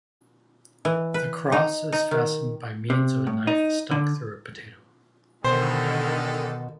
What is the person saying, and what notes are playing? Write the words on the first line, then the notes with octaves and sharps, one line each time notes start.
The cross is fastened by means of a knife stuck through a potato.
E3
B4
D#4
D#4
D#3
C3
A2
D#4
D3
B2 D3 D#3 G#3 G4 A4 C5